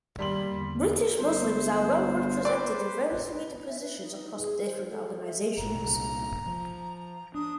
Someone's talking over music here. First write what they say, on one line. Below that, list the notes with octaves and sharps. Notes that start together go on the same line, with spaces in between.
British Muslims are well represented in various media positions across different organisations.
D#3 G3 A#3 C6 F#7
E2 D3
G1 C5
B4 D5
E5
B4
D#4
G#4
C5
A4
E5
F#1 A2 A#5
C2 A#2
F3
D4 D#6